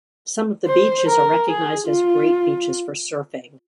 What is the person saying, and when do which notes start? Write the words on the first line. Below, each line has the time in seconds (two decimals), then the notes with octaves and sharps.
Some of the beaches are recognized as great beaches for surfing.
0.67 C5
1.07 A#4
1.48 G#4
1.88 F4